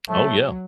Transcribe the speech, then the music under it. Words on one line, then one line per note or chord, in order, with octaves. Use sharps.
Oh, yeah.
F#3 A3